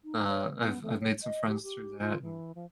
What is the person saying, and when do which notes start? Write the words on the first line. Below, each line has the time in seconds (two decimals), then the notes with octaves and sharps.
Uh, I've I've made some friends through that and
0.05 D#4
0.28 C#5
0.61 B3
0.82 A3
1.01 C#5
1.22 D#5
1.48 G4
1.63 G4
2.00 F4
2.22 E3
2.55 F3